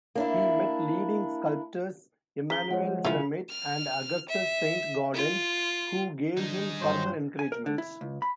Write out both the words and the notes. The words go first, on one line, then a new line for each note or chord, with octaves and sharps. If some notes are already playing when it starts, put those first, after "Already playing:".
He met leading sculptors Emmanuel Fremiet and Augustus Saint-Gaudens, who gave him further encouragement.
A#3 D4 E4
C#3 A#5 B6 G7
F3 G#3 C#5 F#5
C#3 E4 F4
F6
E5
F4
D#3 G3 D4 D#4 G#4
G2 F#3 C5
G#5
A#4
D3
E4
C#2
B5